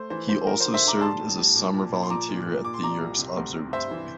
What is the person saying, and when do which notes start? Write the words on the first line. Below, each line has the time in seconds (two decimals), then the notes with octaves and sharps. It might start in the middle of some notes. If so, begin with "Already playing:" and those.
He also served as a summer volunteer at the Yerkes Observatory.
Already playing: A3 C5
0.10 E3 C5
0.28 E3 C5
0.47 F3 A#4
0.60 C5
0.65 D3
0.74 C5 E5
0.83 D3 A#5 D6
1.01 G3 A5 C6
1.19 A2
1.37 G3
1.55 A#2
1.74 A#2
1.92 A#2
2.03 C6
2.10 F3 A#5 D6
2.29 A#2
2.46 A#2
2.64 A#2 D6
2.74 C6
2.83 F3 A#5 D6
3.01 C2
3.19 C3
3.37 D2
3.55 C3
3.73 G2 C5 E5
3.91 E3